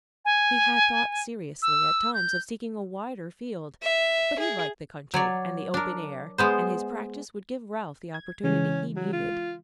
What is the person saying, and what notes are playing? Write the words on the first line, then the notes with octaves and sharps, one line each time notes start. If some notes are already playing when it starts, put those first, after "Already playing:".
He had thought seriously, at times, of seeking a wider field, but he liked the country and the open air, and his practice would give Ralph the opportunity he needed.
G#5
E6
G6
E5
G#4
F#3 C#5 D5
D4 A#4
G#3 B3 C5
G#6
C#3 E3 G#3 C#4
F#3
F4